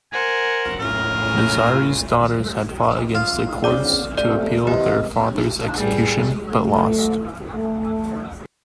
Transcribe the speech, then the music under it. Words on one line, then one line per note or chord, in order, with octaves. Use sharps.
Nazari's daughters had fought against the courts to appeal their father's execution but lost.
A#4 C5 F#5 G#5
A2 C#3 F4 A#4
F4
C#3 C4 G#4 D5 D6
C3 A3 A4 D5
E2 C3 G4 D#5
A2 G3 G#4
A3
A3